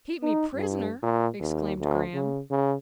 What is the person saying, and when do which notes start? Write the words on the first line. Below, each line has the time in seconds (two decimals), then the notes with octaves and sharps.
"Keep me prisoner!" exclaimed Graham.
0.23 D#4
0.55 G2
1.02 A#2
1.40 D#2
1.79 D2
2.13 C#3
2.50 C#3